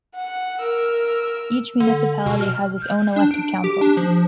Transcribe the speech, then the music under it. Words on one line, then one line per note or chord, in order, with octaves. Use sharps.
Each municipality has its own elected council.
F#5
A#4 E6
D3
B2
F6
G6
D4
D7
G4
D4
F3